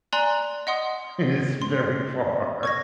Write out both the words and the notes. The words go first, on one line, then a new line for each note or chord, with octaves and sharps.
is very far.
D5 G#5 A#5 C6 F#6 F#7
D#5 F#5 C6 D#6
C6
C#6 G#6 A#6